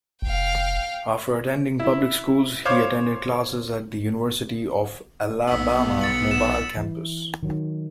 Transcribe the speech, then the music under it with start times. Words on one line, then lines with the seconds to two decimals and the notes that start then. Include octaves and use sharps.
After attending public schools, he attended classes at the University of Alabama, Mobile campus.
0.22 F1 F5 G5
1.80 E4
2.65 C5 C#5 F5 D6
5.48 B1 B3 E6 B6
6.01 A6 C#7 F#7
6.31 E7
6.77 E3
7.43 D#3 F#3